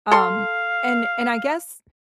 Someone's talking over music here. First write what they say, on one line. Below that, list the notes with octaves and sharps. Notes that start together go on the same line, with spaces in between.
Um, and and I guess
A4 F5 C6